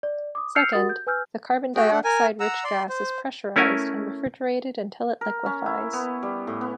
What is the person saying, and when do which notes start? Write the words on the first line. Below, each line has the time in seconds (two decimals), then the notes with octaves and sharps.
Second, the carbon dioxide-rich gas is pressurized and refrigerated until it liquefies.
0.03 D5
0.35 D6 D#6
0.55 E6 F6 G6 C7 C#7 F7
0.73 F#4 G4 A#4 F#5 D#6 A6
0.89 G6
1.07 B4 G#5 E6 F6 G6
1.76 A3 F#4 G#4 G5
1.91 D4 F#5
2.04 A#4 G#5
2.40 F#5 A#5 E6
2.64 D5 C6
2.89 C5
3.56 A3 C#4 E4 A#4 G#5
5.21 A#4
5.46 C#4
5.66 E4
5.93 B3
6.23 G3
6.47 A2
6.61 B3